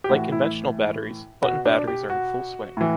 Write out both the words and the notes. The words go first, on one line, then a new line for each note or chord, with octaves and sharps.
Like conventional batteries, button batteries are in full swing.
G4
A2 E3 F#4
E4
B2 F#4
D4
G4
F#4
A2 E3